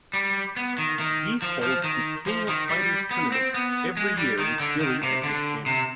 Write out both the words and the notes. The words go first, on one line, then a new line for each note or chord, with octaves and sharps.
Geese holds "The King of Fighters" tournament every year with Billy as his champion.
G3
B3
D#3
D#3
F3
F3
D#3
F3
D#3
G3
B3
C4
B3
G#3
G3
D#3
D3
D#3
C3
D3
C3